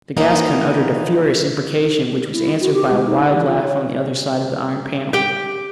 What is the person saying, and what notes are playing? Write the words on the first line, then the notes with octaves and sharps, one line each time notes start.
The Gascon uttered a furious imprecation, which was answered by a wild laugh on the other side of the iron panel.
E3 A#3 C#4 D#4 F#4
E4
F#4
G4
G#3
D#4
E3
F4
C#5
G4 G5